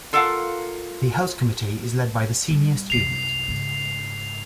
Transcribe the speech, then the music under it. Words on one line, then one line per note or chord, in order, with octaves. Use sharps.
The House Committee is led by the Senior Student.
F4 A4 A#4 F5 F#5
A2 G3
C2 F#2 C7 F7
G#2 C#3